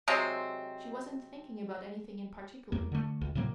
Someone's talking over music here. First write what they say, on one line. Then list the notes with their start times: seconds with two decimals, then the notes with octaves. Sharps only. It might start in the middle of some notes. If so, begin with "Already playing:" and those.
She wasn't thinking about anything in particular.
0.08 C3 F#3 G#3 C4
2.72 E2 A#3
2.92 D3 A3
3.21 C#2
3.35 A2 C3 F#3 A#3